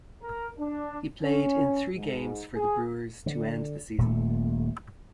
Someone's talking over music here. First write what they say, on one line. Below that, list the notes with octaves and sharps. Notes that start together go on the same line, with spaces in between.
He played in three games for the Brewers to end the season.
A#4
D4
C#4
G#2
G#4
D3
D#1 A#2 A3